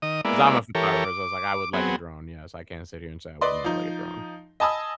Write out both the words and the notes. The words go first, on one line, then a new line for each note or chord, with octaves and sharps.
'Cause I'm a photographer, so I was like I would like a drone, yes. I can't sit here and say I would not like a drone.
D#3 D#5 D#6
G#3 A#3 B3 E4 D5
E3 G4 A4 A#4 C#5
D6
F#3 B3 C4 G#4
B4 D5 D#5 C6
F3 D#4
D#5 G#5 A5 B5 D#6 E6